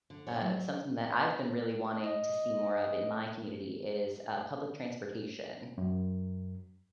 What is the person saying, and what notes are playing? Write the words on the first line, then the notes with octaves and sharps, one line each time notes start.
Uh, something that I've been really wanting to see more of in my community is, uh, public transportation.
D3
C#5
F#3
D#5
F#2